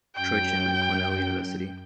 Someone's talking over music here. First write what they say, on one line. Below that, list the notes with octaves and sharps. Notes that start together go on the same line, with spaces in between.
Trochim at Cornell University.
F#2 G5